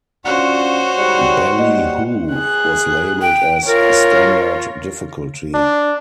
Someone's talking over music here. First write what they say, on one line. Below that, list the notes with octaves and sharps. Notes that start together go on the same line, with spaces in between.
"Ballyhoo" was labeled as "Standard" difficulty.
C#4 D4 F4 F#4 C5 C#5 F#5
G#2 G3
G3 A#3 D#5
G#4 F#6
G5
F4 A#4 C#5
D4